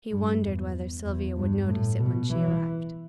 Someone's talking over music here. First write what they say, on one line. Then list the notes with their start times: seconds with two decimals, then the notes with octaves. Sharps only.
He wondered whether Sylvia would notice it when she arrived.
0.11 G2
0.42 E2
1.05 E2
1.36 G2
1.68 A2
1.99 B2
2.30 E3